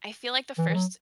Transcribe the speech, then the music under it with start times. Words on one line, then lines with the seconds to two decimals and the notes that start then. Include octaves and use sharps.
I feel like the first
0.58 E3
0.69 E3
0.74 F#3